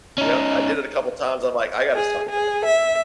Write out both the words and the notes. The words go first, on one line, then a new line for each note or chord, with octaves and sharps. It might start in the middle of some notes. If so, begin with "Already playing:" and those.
Yep. I did it a couple times. I'm like, "I gotta stop with it."
C#4 D#4
G#4
G#4
E5